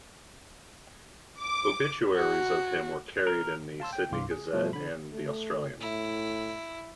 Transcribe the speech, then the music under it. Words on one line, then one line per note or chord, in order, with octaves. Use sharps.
Obituaries of him were carried in the "Sydney Gazette" and "The Australian".
D6
F#4
A#4
F5 A5 C6 E6
G5
C2 G2 F5 C6 D6
G#4
B2 F3 G3 A3
D3 B5
A3
A2 E4